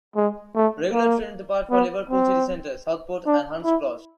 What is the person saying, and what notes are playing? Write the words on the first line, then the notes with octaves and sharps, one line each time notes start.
Regular trains depart for Liverpool city centre, Southport and Hunts Cross.
G#3
A3
A#3
B3
C4
D4
E4